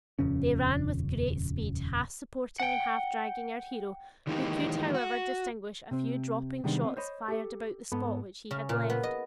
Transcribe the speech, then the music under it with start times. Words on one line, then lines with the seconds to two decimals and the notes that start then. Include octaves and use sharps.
They ran with great speed, half supporting and half dragging our hero, who could, however, distinguish a few dropping shots fired about the spot which he had left.
0.19 D#1 F2 C#3 C#4
2.60 F#5 G5
4.27 D#3 E3 G#3 A#3 D#4 G4
4.94 F#4
5.91 C3 C4
6.64 C3 D#3 G3 G#3 B3 D4
6.84 B3 C4
6.97 C5 C#5 D#5 B5
7.28 G4 A4
7.92 G#2 B3 A4 B5
8.51 C#3
8.69 A#2
8.90 B3
9.03 D#5